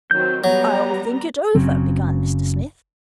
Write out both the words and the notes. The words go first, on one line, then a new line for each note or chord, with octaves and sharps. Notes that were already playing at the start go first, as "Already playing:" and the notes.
'I'll think it over--' began Mr Smith.
D#3 F#3 C4 G6
F#3 G3 B3 A#5
F#1 C#3 F#3 C4